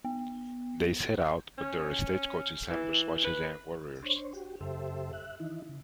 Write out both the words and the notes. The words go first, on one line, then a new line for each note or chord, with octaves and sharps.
They set out, but their stagecoach is ambushed by Cheyenne warriors.
B3
C#4
E3
B4
D4 C5 C#5
F#4 G4
F#2 C#3 G4 A4 C5 E5
E5 F#6
D#3 E3 D#4 E4
C#3